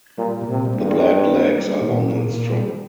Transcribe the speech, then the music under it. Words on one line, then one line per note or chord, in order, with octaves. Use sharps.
The black legs are long and strong.
A#2 G3
A#2
C3
G3
G2
A#3
G3
A#3
G3
A#2
A#2
A#2
G3